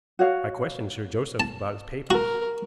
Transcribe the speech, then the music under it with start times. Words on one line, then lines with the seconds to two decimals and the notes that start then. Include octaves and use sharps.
I questioned Sir Joseph about his papers.
0.19 F#4 C#5 F5
1.40 A5
2.11 F#4 A#4